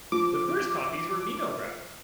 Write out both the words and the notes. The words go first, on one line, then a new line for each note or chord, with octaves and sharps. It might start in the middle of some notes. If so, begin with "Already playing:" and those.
The first copies were mimeographed.
F3 D6